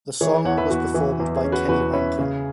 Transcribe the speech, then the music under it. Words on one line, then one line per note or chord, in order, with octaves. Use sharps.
The song was performed by Kenny Rankin.
E3 G#4 C#5
E2 C#5 F#5
B4 E5
E2 F#4 B4
E3
E2
G#4
C#4
F#4 B4
E2 F#4 B4
C#4 B4 E5
C#3 G#4